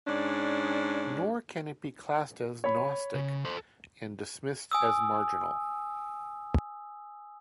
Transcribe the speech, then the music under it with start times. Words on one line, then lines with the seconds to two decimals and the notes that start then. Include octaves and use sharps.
Nor can it be classed as "gnostic" and dismissed as marginal.
0.07 G#2 C#4 D4 D5
2.64 C#5 B5
3.14 C#3
3.45 A4 C5
4.72 G#5 D#6 E6